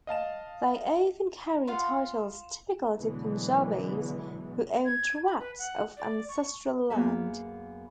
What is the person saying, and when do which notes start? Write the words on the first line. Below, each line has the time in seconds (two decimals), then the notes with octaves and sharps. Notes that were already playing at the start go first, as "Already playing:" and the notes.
They often carry titles typical to Punjabis who own tracts of ancestral land.
0.07 D#5 F5 A5 E7
1.67 F4 F5 F#5 C6
2.95 B2 D3 E3 F#3 G#3 B3
4.85 G#6
5.25 B5
5.40 B4
5.59 F#5
5.97 D5
6.28 C#6
6.90 F#2 A#3 B3 G#4 A#4 E5